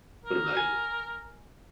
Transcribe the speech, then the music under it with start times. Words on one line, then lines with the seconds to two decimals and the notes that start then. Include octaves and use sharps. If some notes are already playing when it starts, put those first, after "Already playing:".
What about you?
0.25 A#4
0.57 G#5